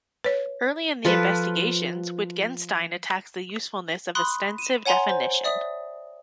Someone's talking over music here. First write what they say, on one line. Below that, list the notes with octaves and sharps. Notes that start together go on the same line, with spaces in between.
Early in "The Investigations", Wittgenstein attacks the usefulness of ostensive definition.
B4 C#5
F3 F4 A4 B4
B5 C6 D#6 F#6
D#7 E7
C#5 F#5 G#5 A#5 C6
C5
D5 E5 D#6